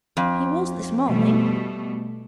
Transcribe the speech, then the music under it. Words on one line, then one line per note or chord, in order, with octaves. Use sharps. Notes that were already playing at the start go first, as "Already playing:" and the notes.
'He was this morning.
F2
B2 G3 A3